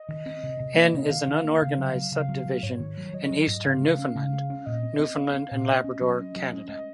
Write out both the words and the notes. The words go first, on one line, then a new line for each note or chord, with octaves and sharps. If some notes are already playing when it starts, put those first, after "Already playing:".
N is an unorganized subdivision in eastern Newfoundland, Newfoundland and Labrador, Canada.
Already playing: D#5
D#3
C4
C3
C3
A#3
C3
D#3 F5
D#3
A#3
C#3
F#3
F#3
C#3 F5
F#3
F#3
G#2 C#5
D#3
F#3
F#3 D#5
F#3
G#2
C#3 F5
G#3
C#4
C#3
G#3
C#4
A#2 D#5
C4
C4
C4 F5
C4
A#2
C#4 D#5
C#4
F#3
C#4
F#3
C#4
G#3 D#5